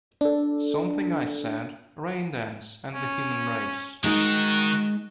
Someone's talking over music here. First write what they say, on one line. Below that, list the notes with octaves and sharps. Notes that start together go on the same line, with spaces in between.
"Something I Said", "Raindance" and "The Human Race".
D4 A4
C#4
D#3 G#3 D#4 F#4 D#5